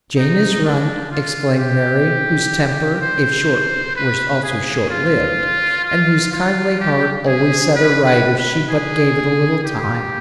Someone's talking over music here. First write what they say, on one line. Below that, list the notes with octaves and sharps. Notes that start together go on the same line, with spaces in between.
"Jane is right," exclaimed Mary, whose temper, if short, was also short-lived, and whose kindly heart always set her right if she but gave it a little time.
D#4
D4
F4
G4
C5
B4
G#4
F4
F4
F4
G4
G#4
B4
B4
B4
G#4
G4